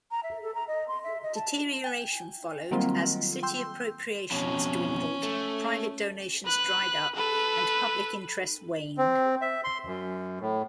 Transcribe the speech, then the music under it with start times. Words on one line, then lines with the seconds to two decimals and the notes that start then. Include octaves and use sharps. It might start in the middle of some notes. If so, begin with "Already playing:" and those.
Deterioration followed as city appropriations dwindled, private donations dried up and public interest waned.
0.11 A#5
0.23 E5
0.43 A4
0.55 A#5
0.68 D#5
0.88 C6
1.04 E5
1.23 D#5
1.35 A5
1.84 G5 G#5
2.71 D#3 F#3 G3 A#3 C4 F4
3.43 G5 C6 E6 G6
4.31 F2 B2 C#4
5.23 A3
6.45 B4 F#6
7.15 A4 B4
8.98 C4
9.41 E5
9.64 C6
9.86 F#2
10.40 A2